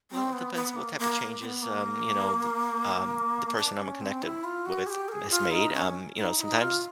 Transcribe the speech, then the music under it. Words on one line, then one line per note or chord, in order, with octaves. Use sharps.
Well, it depends what type of changes, um, you know, the um, the person I'm, uh, connected with has made. Um, you know, sometimes
C4
B3
B3
A#3
A#3
C4
B3
A#3
D4
C#4
C4
E4
F4
F#4
G#4
G4
A#4
G#4
F4
D#4
C#4
D#4
E4
D#4
F4